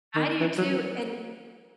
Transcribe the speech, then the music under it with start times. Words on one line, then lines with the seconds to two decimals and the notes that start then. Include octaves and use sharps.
I do, too, and
0.15 D#3
0.40 E3
0.58 F#3